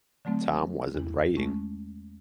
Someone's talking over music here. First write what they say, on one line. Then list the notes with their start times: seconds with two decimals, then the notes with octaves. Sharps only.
Tom wasn't writing.
0.25 D3 F#3 A3 C4
0.95 E2 E4
1.37 G#3 A3 C#4